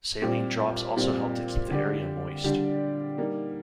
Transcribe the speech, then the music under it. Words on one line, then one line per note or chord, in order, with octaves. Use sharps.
Saline drops also help to keep the area moist.
A#2 G3 C4 G4
A#2 G3 C4 G4
D3 G3 D4 G4 D5
D3 G3 D4 G4 D5
G3 A#3 D#4